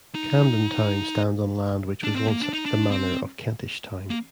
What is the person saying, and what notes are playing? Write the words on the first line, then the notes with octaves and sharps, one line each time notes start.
Camden Town stands on land which was once the manor of Kentish Town.
D#4
D4
C4
A#3
D4
D#4
D4
C4
A#3